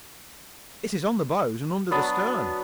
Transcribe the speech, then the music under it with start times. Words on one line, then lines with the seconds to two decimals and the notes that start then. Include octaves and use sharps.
"It is on the bows and under the stern."
1.91 F#3 B3 D4